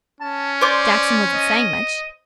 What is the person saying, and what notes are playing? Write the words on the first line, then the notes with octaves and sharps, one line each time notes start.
'Jackson wasn't saying much.
C#4 A5
C5 D5 D6
D#5